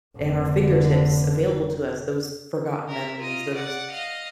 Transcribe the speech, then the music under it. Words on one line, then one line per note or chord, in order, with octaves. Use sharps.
at our fingertips available to us, those forgotten memories, those
F1 D3
A#4 E5
F4 D#5
D5 F#5
D#5 F5